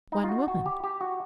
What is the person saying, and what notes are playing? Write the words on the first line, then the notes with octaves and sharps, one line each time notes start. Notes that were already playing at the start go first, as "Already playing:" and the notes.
One woman.
D#4
F4
F#4
F#4
G4
G4
F#4